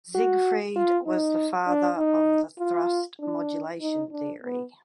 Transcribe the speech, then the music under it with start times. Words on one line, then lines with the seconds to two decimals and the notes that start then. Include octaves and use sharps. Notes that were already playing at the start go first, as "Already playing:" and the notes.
Siegfried was the father of the "thrust modulation theory".
0.15 F#4
0.76 F4
1.06 D#4
1.68 D4
1.98 D#4
2.59 F4
3.20 D4
3.81 D#4
4.12 D4
4.42 B3